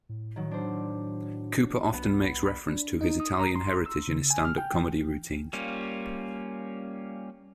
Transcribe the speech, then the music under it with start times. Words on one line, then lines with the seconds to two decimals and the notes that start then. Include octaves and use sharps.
Cooper often makes reference to his Italian heritage in his stand up comedy routines.
0.09 A2
0.36 D#3 F#3
0.51 D4 C5
1.93 C2 B3
2.43 B5
2.68 D4
3.01 D#4
3.20 D#6
3.39 A#5
3.55 C6
3.86 E6
4.08 C#3
4.30 G#5
4.45 F6
4.58 G5
4.73 E3
5.53 G3 A#3 C#4 F4